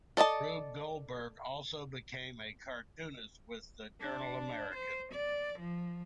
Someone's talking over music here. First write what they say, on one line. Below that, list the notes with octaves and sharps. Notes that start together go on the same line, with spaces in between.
Rube Goldberg also became a cartoonist with the "Journal-American".
A4 D5 D#5 A5
D4
C5
D5
F3